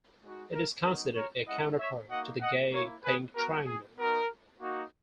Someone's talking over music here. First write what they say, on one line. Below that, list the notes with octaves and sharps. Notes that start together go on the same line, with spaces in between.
It is considered a counterpart to the gay pink triangle.
G#3 D#4 F#4
A#4
B3 D#4 F#4 A#4
A#4 C#5
G#3 C#4 E4 D#5 F#5
C#5 E5
A#3 D#4 F#4 D#5 F#5
D#5 F#5
A#3 E4 A#4 C#5
G#4 B4
B3 F#4 A#4
G#4
B3 D#4 F#4 A#4
A#3 D#4 F#4